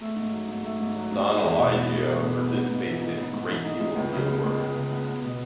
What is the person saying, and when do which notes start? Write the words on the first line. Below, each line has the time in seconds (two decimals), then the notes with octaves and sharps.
Don Elijio participated in a great deal of field work.
0.01 A3
0.16 G#2
0.31 F#3
0.48 G#2
0.63 A3
0.80 G#2
0.95 F#3
1.12 G#2
1.28 G#3
1.43 E2
1.59 B2
1.75 B3
1.90 G#3
2.06 E2
2.22 B2
2.37 B3
2.54 B3
2.69 G#2
2.86 E3
3.01 D#4
3.17 B3
3.33 G#2
3.48 E3
3.64 D#4
3.80 G#3
3.96 C#2
4.12 C#3
4.28 B3
4.43 G#3
4.59 C#2
4.75 C#3
4.92 B3
5.06 B3
5.22 B2